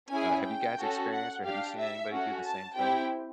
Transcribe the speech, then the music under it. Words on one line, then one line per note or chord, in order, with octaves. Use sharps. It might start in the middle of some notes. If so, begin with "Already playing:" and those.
Uh, have you guys experienced or have you seen anybody do the same thing?
C#4 E4 G#4 G#5
G5
C#4 F#4 A4
F#5
D4 G4 F5
E5
C#4 F#4 A4
A5
C4 E4 G4 G5